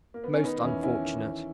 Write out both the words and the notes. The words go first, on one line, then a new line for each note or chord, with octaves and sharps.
"Most unfortunate!"
A#3
B3
C#4
D#3 B3 D#4
E2 C#4 E4
D#3 C#4 E4
D#3
E3